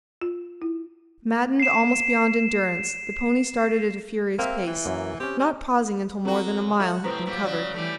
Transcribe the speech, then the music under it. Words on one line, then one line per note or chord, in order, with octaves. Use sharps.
Maddened almost beyond endurance, the pony started at a furious pace, not pausing until more than a mile had been covered.
F4
E4
C7 E7
A#3 C4 E5
E3
F#2 A#3
C4 C#4 G4
G3
F#3 C4 F#4 A4 A#5
F#4 A4 E5
A2 C3 C4 B4 C5 A#5
A#2 F#3 G3
C#3 F#3 D5
E3 G3 A3